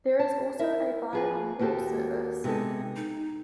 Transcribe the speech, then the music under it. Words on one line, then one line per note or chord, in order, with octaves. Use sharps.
There is also a buy on board service.
A5
E4 A#4 E5
F3 G#4 B4
D#2 A#3 F#4 G4 A4
C3 G#3 B3 D#4 A4
D#4